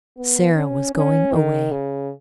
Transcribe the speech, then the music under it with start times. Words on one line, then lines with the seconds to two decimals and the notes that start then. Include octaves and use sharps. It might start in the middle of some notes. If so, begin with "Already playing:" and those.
Sara was going away.
0.17 B3
0.55 C#4
0.95 C#4
1.34 D#3
1.71 C#3